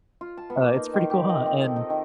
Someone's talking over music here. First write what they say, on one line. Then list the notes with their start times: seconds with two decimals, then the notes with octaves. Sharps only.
uh, it's pretty cool, ha," and
0.21 F4
0.37 A5
0.50 B3
0.63 A#3
0.75 D#4
0.94 D#3
1.10 G4
1.29 D#5
1.46 C4
1.64 A4
1.76 D#4
1.90 D#3